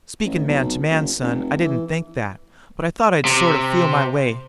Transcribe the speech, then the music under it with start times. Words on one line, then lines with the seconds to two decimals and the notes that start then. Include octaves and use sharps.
"Speakin' man to man, son, I didn't think that, but I thought I'd sort of feel my way."
0.25 A1
0.48 B1
0.91 F#1
1.22 F1
1.65 E3
3.25 C3